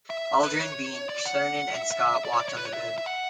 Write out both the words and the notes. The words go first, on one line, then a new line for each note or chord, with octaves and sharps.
Aldrin, Bean, Cernan and Scott walked on the Moon.
E5
B4
C#5
D5
F#5
E5
E5
E5
D5
C#5
D5
C#5
B4
C#5
E5
E5
F#5